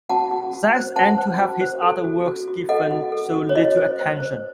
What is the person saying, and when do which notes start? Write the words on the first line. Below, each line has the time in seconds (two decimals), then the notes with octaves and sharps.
Sex and to have his other works given so little attention.
0.09 F#4 F#5 A5
0.31 F#4
0.53 F#4
0.75 C5
0.96 C5 F#5 A5
1.18 C5
1.40 F#4
1.61 C5
1.82 A4
2.04 F#4
2.26 F#4
2.48 F#4
2.69 A4 D#5 F#5
2.91 F#4
3.12 A4
3.34 F#4
3.49 C#5
3.55 F#4 D#5
3.77 C5
3.99 C5
4.20 C5